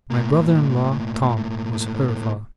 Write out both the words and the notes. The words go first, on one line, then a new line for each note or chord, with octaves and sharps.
My brother-in-law, Tom, was her father.'
A2 A#3